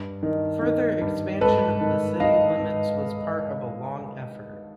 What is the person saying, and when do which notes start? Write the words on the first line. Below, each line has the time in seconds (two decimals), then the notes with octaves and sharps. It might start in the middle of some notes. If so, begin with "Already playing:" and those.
Further expansion of the city limits was part of a long effort.
Already playing: G2
0.23 D#3
0.62 D#3
1.01 G2
1.41 G#2 A4 B4
1.81 D#3
2.20 D#3 D#5 F5
2.59 G#2